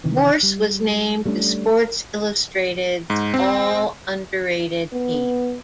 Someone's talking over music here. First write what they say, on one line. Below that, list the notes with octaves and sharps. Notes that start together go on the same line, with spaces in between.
Morse was named to "Sports Illustrated"'s "All-Underrated Team".
C3 D#3 E3
G3
G3 A3 C#4 D4
G#2
C4
B3